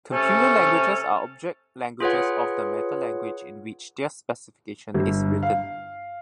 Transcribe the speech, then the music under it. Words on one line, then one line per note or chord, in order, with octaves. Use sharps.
Computer languages are object languages of the metalanguage in which their specification is written.
C3 A3 C#4 A4
F4 G#4 B4 C#5 F#5
G1
F5